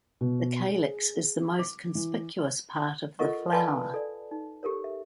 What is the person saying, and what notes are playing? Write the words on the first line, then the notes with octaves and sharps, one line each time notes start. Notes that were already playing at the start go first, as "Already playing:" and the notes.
The calyx is the most conspicuous part of the flower.
B2
G#4
D6
E3
F4 A4 A#4 D#5 F#5 C#6
B4 D5 F5 G#5 A5 B5
A4 D5
D#4
G4 A4 A#4 C#5
E5